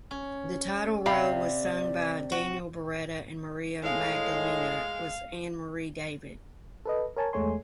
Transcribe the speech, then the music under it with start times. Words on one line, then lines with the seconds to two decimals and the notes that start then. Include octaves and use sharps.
The title role was sung by Daniel Beretta, and Maria Magdalena was Anne-Marie David.
0.11 C#4
1.06 C3 D5 F5 G5 B5
2.32 F#4
3.83 A2 G#3 F5
6.86 A4 B4 D#5
7.17 A#4 C#5 G#5 A5
7.33 E2 G#3 A3 C#5 G#5 C6